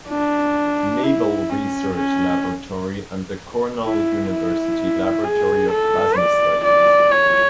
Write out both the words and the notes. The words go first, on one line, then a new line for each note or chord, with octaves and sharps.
Naval Research Laboratory and the Cornell University Laboratory of Plasma Studies.
D4
E4
C#4
C#4
E4
E4
G#4
A4
D5
D5
C#5